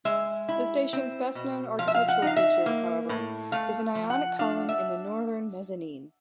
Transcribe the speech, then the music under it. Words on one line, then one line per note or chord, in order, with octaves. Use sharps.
The station's best-known architectural feature, however, is an Ionic column in the northern mezzanine.
G#3 E5
E4
C4
B2
F3 F5
E5
F5
F#5
D#4
F5
E5
A#3
A2
A3 F5
F3
F#5
D4 F5
E5